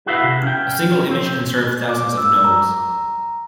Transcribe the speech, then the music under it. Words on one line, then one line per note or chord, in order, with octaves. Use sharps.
A single image can serve thousands of nodes.
E4 F#4 G#4 B4 E5 F5
C3
C#4 G5
C4
D6
E6
A#5